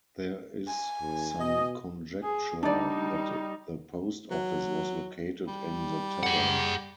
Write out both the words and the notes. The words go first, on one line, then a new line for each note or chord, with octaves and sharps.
There is some conjecture that the post office was located in the tavern.
G#5
D#2
B2 D#5
G#4
G3 D4 D#4 D5
F#3
G3
G#4 F#5